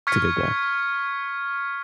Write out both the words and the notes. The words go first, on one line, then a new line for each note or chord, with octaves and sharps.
to their death.
C#6 F6 G#6 B6 C#7